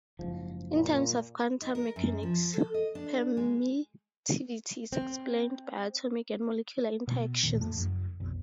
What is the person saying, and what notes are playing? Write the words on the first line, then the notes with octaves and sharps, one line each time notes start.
In terms of quantum mechanics, permittivity is explained by atomic and molecular interactions.
F#1 G#2 F3
A#2
D#4
A#4
F#2
F3
A4
D#5
D4
G#3
C4
B2
D#2 A#2 D#3
F2 A3
F#1 F#2
F1 B1